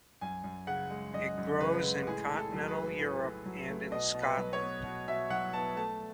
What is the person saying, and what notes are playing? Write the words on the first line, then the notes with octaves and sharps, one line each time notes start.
It grows in continental Europe and in Scotland.
F#2 G#5
F#2
C#3 F#5
G#3
F#2 D#5
F#2
C#3 B4
G#3
A2 G#4
A2
A4
F#3
B4
A3
A2
A2
F#3
A3
B2 D#5
B2
B4
F#3
C#5
B3
B2
B2 E5
F#3 F#5
B3 A5
A3 A5